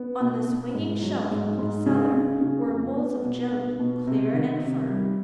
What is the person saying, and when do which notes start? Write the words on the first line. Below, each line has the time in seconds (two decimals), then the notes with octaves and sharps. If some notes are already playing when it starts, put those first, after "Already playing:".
On the swinging shelf of the cellar were moulds of jelly clear and firm.
Already playing: B3
0.20 B2
0.48 B2
0.75 G#2
1.02 F#3
1.31 G#2
1.58 G#2
1.86 C#3
2.14 C#3
2.41 C#3
2.68 F2
2.96 B3
3.24 B2
3.52 B3
3.79 B2
4.07 C3
4.34 D#3
4.63 C3
4.89 G3